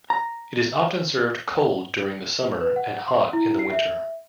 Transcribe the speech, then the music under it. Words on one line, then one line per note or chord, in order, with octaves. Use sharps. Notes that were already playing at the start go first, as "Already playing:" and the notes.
It is often served cold during the summer, and hot in the winter.
A#5
B4
F#5
C6
E4
C7
E5